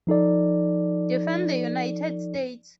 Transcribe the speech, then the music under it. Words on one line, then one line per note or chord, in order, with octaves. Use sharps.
Defend the United States.
F3 D#4 A4 D5